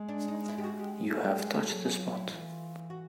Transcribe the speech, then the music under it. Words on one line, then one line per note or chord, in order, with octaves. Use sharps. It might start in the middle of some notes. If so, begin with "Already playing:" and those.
You have touched the spot.
Already playing: G#3
D4
D#4
E4
G4
F#4
G4
A3 G#4
G4
G#3 G#4
A4
F#3 G#4
G#4
F4
E4
E3 F4
F#4